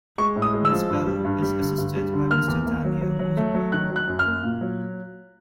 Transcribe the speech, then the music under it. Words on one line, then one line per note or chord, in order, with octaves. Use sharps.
Ms. Bell is assisted by Mr. Daniel Modenbach.
G#3 C#6
A2
D#6
G#3
E6
F3
G2
G3
G2
G3
D3
G2
G3
D3
A#3 F6
E2
A#3
F#3
F#3
F#3
A3
F#3
D#3 F#6
F#3
F#6
F#2
F6
A#3
A#2
F#3